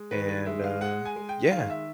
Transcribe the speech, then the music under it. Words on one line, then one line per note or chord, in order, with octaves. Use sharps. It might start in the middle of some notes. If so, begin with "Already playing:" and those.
and, uh, yeah,
Already playing: G#3
D#3 B4
B4
G#3 E5
F5
G#3 F#5
G#5
G#3
G5
D#3 F5
E5